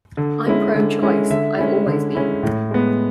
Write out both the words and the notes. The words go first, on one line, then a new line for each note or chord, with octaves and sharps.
I'm pro-choice; I've always been.
D3
G#3 C#4 E4
D3
G#3 C#4 E4
D3 E5
G#3 C#4 E4
D3
G#3 C#4 E4
A2
G#3 B3